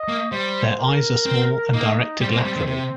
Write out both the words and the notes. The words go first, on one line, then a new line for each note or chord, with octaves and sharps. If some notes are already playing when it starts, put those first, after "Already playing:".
Their eyes are small and directed laterally.
Already playing: D#5
A#3
G3 C5
A#4
C4
A#3 D#4
G3 C4
A#3
G3
D#3
C3